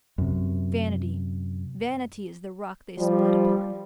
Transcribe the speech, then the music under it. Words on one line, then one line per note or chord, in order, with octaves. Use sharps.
Vanity--vanity is the rock they split upon.
F#2 C3
F3 G3